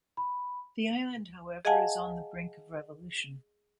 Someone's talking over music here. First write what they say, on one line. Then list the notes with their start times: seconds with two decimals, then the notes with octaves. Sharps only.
The island, however, is on the brink of revolution.
0.17 B5
1.65 G#4 D#5 F5 F#5 G#5 A5